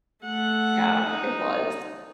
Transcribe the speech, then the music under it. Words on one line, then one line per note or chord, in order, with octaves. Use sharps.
Yeah, it was.
A3 F#5
D#4